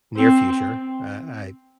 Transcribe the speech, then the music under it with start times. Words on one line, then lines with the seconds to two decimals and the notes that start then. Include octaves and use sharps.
near future, uh, I
0.16 C4